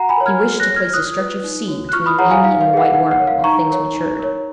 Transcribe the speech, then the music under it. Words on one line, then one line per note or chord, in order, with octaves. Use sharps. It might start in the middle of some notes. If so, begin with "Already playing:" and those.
He wished to place a stretch of sea between Mimi and the White Worm, while things matured.
Already playing: F#4 F#5 A#5
G#5 B5
A#4 C#5
F6 G#6
F#4
F#6 A#6
C#5
F6 G#6
F4 D#6 F#6
B4
D#4
F#4 C#5
F#6
F4 C#6 F6
B5 D#6
G#4 C#5 F#5 A#5
F5 G#5
D#4 F5
F5
B4
G#4 F#5
D#4 F#5
F#5
A#4 C#5
F5
D#4 A#5 C#6
A#4 C#5
D#4
A#4 C#5